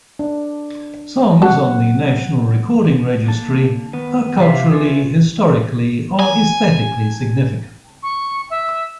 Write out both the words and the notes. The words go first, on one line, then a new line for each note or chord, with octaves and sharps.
Songs on the National Recording Registry are culturally, historically, or aesthetically significant.
D4
F#3 C4 F#4 F#5 A5
D3 A#3 A5
D#3 B3 B4
C3 F3 F4 G4 E5 F5
C#4 F4 B4 E5
G#5
C#6
E5